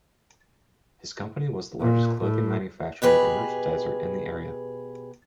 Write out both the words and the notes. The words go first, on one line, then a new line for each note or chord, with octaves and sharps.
His company was the largest clothing manufacturing and merchandiser in the area.
A#2
A2
B2 G4 G#4 B4